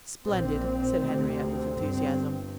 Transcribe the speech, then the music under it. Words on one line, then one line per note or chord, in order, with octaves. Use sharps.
"Splendid!" said Henriette, with enthusiasm.
A#1 A#2 C4
C4
D2 C3 C4
G1 G2 C4